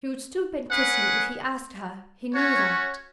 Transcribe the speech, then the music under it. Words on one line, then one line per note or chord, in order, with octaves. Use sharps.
She would stoop and kiss him if he asked her; he knew that.
C#4 G#4 B4 F#5
C#4 F#4 C#5